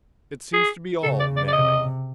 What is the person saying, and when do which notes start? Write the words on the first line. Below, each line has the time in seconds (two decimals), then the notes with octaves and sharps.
"It seems to be all Manning!"
0.53 G#4
1.03 C#3 A4
1.20 D5
1.37 D5
1.48 D5
1.53 C3 D#5